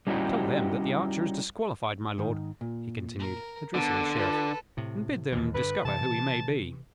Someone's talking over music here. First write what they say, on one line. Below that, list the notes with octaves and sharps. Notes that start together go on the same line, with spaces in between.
"Tell them that the archer is disqualified, my lord," he continued, addressing the Sheriff; "and bid them discover who he may be."
G3 C#4 D#4 E4 F#4 G4
G#2 D#3
A#2
A#4
D3 B3 A4 A#4
F4 A4 B4
A2 C3
D#2 B2 E3
G2 D3 B4
C3 E3 A5